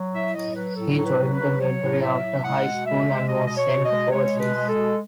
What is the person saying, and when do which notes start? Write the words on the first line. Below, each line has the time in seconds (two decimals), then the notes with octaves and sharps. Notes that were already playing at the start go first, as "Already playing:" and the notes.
He joined the military after high school and was sent overseas.
Already playing: F#3
0.13 A2 E5
0.34 F#3 D#5
0.54 F#3 B4
0.75 A2 A4
0.94 F#3 A4
1.04 B4
1.18 F#3
1.32 B4
1.39 F#3
1.60 F#3 C#5
1.81 A2
2.02 F#3 E5
2.23 A2
2.44 G#3 F#5
2.65 B2
2.85 G#3 E5
3.06 G#3
3.27 B2 D#5
3.46 B2 D#5
3.56 C#5
3.69 B2
3.84 D#5
3.91 G#3
4.11 G#3 C#5
4.33 B2
4.40 B4
4.53 G#3
4.67 A4
4.74 B2